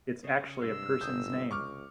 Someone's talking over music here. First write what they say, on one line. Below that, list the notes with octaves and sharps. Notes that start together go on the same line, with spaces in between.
It's actually a person's name.
C#3 C#4
G2 C3 G#3 E6
G1 D#6 G6
C#2 C#6 D6 F6